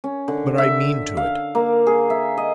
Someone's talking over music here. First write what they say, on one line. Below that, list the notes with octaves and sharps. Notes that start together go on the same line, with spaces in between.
But I mean to it.
C#4
D3
E5
F5
A#3
G#4
E5
D#5